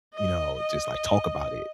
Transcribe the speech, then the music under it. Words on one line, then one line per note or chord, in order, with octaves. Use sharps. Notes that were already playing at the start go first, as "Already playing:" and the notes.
you know, just, like, talk about it,
D#5
D#5